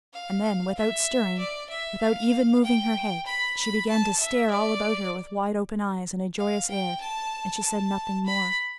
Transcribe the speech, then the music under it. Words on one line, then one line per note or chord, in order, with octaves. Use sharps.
And then, without stirring, without even moving her head, she began to stare all about her with wide-open eyes and a joyous air, and she said nothing more.
F5
E5
D5
E5
F5
G5
B5
B5
A5
E5
D5
F5
G5
A5
A5
B5